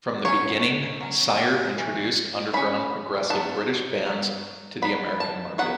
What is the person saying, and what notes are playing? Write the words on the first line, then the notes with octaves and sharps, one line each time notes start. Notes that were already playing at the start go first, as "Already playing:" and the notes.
From the beginning, Sire introduced underground, progressive British bands to the American market.
F#3 C#4 C#5
F#3 C#4
E3 C#4
E3 C#4 B5
F#3 B3 A5
F#3 B3
F#3 B3 B5
A5
F#3 B3 F#5